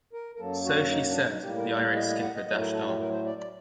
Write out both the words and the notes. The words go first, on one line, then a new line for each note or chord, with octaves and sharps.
So she said, the irate skipper dashed on.
A#4
A#4
F#2 F#3 A#3 A4
F#4
D#4
D4
D#4
A2 G3 A#3 G4
A#4
D5
D#5
D#5
F#5
D#5
A2 F#3 A3 D#5
A#4
A4
G4
A#4
C5
D5
D5